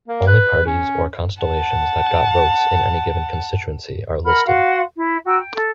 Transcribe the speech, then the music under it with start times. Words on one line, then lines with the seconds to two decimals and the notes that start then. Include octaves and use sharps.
Only parties or constellations that got votes in any given constituency are listed.
0.08 A#3
0.27 B4
0.66 C#4
1.42 F#5 A5
4.25 A#4 F#5 B5 F6
4.46 F#4 F5 F#5 C6
4.94 E4
5.26 F#4 G5 A#5 E6
5.38 G5
5.53 A4